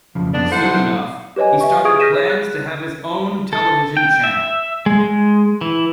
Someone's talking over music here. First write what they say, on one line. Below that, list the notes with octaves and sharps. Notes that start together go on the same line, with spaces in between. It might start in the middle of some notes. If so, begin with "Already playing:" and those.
Soon enough, he started plans to have his own television channel.
F2 C#3 F3
F2 G#2 B3 D4
F#3 E4 A4 C5 F#5
G4 B4 C#5 D#5 G#5
E5 G#5 C#6
G#4 C#6 D#6 G#6 D7
F6 G6 A#6 B6 D#7 E7
C#5
F#6
A4
G5
E5
G#3
G#3
E3